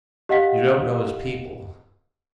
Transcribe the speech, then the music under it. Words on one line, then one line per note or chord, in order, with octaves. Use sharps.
You don't know his people.
G4 D#5 F5 F#5 B6